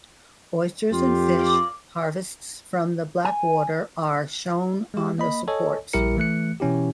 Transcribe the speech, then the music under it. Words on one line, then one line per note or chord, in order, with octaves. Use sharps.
Oysters and fish, harvests from the Blackwater, are shown on the supports.
F2 F4 G4
A#3 D5 D6
G#5
G#3 G4
A#3 D#5 B5
A4 C#5 D#5 G#5
A#1 G3 E4 G4 A#4 C#7
E3 A3 F#6 C#7
B2 E3 C#4 E4 G4